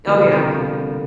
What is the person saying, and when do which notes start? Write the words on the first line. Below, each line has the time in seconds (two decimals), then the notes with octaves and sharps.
Oh, yeah.
0.07 D3 F3 G3 A#3 D4 F4
0.22 B2
0.29 C3
0.50 C3
0.72 C3
0.89 C3